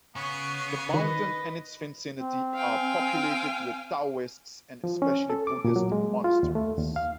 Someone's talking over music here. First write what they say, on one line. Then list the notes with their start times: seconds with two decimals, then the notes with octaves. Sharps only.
The mountain and its vicinity are populated with Taoist and especially Buddhist monasteries.
0.16 C#3 B3 C#5 G#5
0.94 D#3 B4 D#5
2.15 C4
2.54 F5 G5 G#5
4.84 F3
5.02 C#4
5.30 A4
5.47 D6
5.65 A#2
5.76 F#3
5.92 G#3
6.24 F4
6.43 D#2
6.55 A3
6.78 D#2
6.96 F5